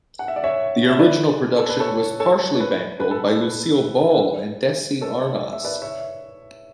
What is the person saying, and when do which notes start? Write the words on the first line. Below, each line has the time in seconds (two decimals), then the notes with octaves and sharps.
The original production was partially bankrolled by Lucille Ball and Desi Arnaz.
0.19 F#5
0.28 E5
0.36 D5
0.44 C#5 E5
0.89 E5
0.99 B4 D5
1.58 A4
1.69 B4
1.80 A4 C#5
2.20 A4 C#5
2.55 C#5
2.60 B4
3.00 B4
3.11 A4
3.30 A4
3.41 B4
4.21 B4
5.01 A4 C#5
5.41 D5
5.53 E5
5.65 B4 D5
5.82 C#5 E5